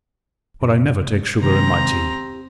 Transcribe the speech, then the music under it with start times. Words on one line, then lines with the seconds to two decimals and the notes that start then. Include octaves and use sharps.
"But I never take sugar in my tea."
0.62 F#2 C3
1.42 C3 D#3 G#3 C4 A#5
1.92 G4